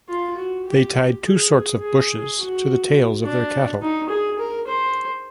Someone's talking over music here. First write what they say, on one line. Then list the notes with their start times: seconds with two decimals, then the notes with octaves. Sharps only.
They tied two sorts of bushes to the tails of their cattle.
0.08 F4
0.37 F#4
0.66 G4
1.24 G#4
1.81 G#4
2.38 F#4
3.24 D4
3.82 D#4
4.09 G#4
4.39 A#4
4.67 C5